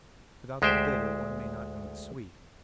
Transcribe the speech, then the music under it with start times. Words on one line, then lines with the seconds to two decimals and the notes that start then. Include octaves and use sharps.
Without the bitter one may not know the sweet.
0.62 D2 G#3 G4 C5 E5 G5